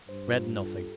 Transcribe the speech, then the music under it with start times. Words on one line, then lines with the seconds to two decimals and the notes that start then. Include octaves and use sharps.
I dread nothing.
0.09 G2 C5
0.28 F4
0.48 F4
0.57 G4
0.62 A4
0.76 A4